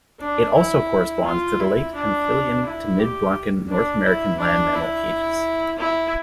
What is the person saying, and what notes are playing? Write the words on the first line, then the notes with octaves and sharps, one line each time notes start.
It also corresponds to the late Hemphillian to mid-Blancan North American Land Mammal Ages.
D4
E4
F4
E4
D4
E4
G4
D4
E4
D4
E4
E4